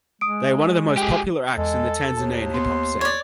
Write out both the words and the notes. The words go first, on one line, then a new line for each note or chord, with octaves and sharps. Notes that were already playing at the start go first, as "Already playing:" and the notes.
They are one of the most popular acts in the Tanzanian hip hop scene.
G#3 D#6 D7
G4 G#4
E2 G#3 A4
D#2 A5
B3 C6
C#5 D5